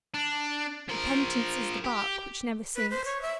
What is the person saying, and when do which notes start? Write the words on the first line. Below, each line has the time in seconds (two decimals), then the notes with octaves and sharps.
Repentance is the bark which never sinks.
0.14 D4
0.89 F3 A#4
1.85 G4
2.76 B4
2.91 C5
3.05 C#5
3.22 E5